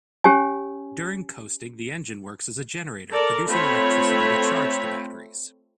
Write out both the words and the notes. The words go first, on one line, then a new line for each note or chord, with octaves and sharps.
During coasting the engine works as a generator producing electricity to charge the batteries.
C#4 G4 C#5 G#5
A4 A#4 D5
A3 C4 F4 C#5 E5 B5